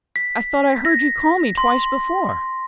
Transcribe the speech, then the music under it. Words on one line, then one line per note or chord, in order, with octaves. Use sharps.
I thought I heard you call me twice before!'
B6
A#6
C6